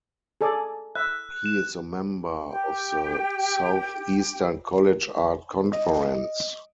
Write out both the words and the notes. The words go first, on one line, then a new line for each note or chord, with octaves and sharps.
He is a member of the Southeastern College Art Conference.
G#4 A4 D5
E5 F#6
E7
G4 G5
D#5